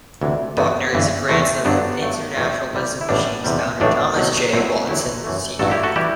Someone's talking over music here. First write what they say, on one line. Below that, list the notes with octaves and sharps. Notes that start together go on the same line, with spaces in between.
Buckner is a grandson of International Business Machines founder Thomas J. Watson, Sr..
D2 C3 E3
G2 E3 A3 B3
G1 G2 E3
E2 C3 E3 A3 C4
G1 G2 D3 F#3 B3 D4
G2 F#3 A3
E2 B2 G3 A3 C4
C2 C3 G3
E4
A1 A2 E3 G3 B3 D4
E2 C3 G3
B1 A2 E3 A3 B3 D4
C2 B2 F#3 A3
B1 A2 F#3 A3 C4 E4
E2 D3 F#3 A3 E4 G4
F#2 E3 A3
A1 G2 F#3 A3 F#4 A4
E4 G4
F#4 A4
E3 G3 E4 G4